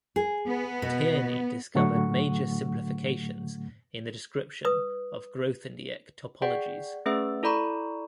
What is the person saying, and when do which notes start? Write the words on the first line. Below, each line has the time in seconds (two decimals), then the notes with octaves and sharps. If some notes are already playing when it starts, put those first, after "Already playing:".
Tierney discovered major simplifications in the description of Grothendieck "topologies".
0.16 G#4
0.46 B3
0.82 B2
1.75 A2 D3 F#3 A3 F#5 C#6
4.65 B4 D#6
6.42 G#4 D5 F#5 G5
7.06 A3 C#4 G#4 B4 E5 E6
7.43 E4 A4 D5 A#5 B5 C#6